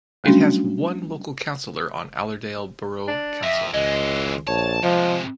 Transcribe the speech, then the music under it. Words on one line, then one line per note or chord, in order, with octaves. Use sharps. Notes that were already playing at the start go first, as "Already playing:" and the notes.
It has one local councillor on Allerdale Borough Council.
F#3 G3 A3 C#4 D4 F#4
D4
F2 E5
C#2 E3 G#3 D#5
A#1 C#5 A5
C3 F3 G#3 D#5